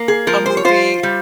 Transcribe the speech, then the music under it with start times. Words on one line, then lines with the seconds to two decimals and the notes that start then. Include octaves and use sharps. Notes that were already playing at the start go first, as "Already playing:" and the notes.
a movie
Already playing: A#3
0.08 G#4
0.27 F3 A#4
0.46 C5
0.57 C#5
0.65 F4 C5
1.03 G3